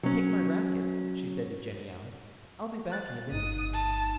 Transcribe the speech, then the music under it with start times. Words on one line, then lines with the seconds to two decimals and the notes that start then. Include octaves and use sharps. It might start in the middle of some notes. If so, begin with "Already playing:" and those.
"Take my racquet," she said to Jennie Allen; "I'll be back in a minute."
0.03 F#3 C#4
2.92 F#6 A6
3.32 G1 D#4 D#6
3.74 A5